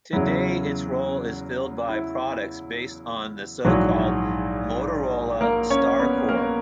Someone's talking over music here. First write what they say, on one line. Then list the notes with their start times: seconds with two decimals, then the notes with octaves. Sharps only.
Today its role is filled by products based on the so-called Motorola StarCore.
0.13 E2 C#3 F#3 E4
1.89 E4
3.65 A#1 G#2 E3 F#3 F#4
5.41 A#3 A#4
5.70 C#4 C#5
5.99 B3 B4
6.29 A#3 A#4